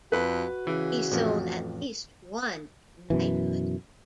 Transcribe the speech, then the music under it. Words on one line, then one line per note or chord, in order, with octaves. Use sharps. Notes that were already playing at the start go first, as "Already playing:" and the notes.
He sold at least one "knighthood".
F2 F#4 B4
C#3 E3
A1 F2
F#2 B2 E3